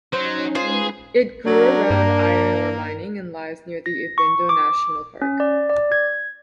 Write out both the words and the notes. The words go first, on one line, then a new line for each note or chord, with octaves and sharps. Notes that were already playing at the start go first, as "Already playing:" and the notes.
It grew around iron ore mining and lies near the Ivindo National Park.
F#3 C#4 D#4 C5
G#3 F4 G#4 B4 C5
F#3 D4 A#4
G2 A#3
A#6
C#6
D6
C#4
D5
D5
G#6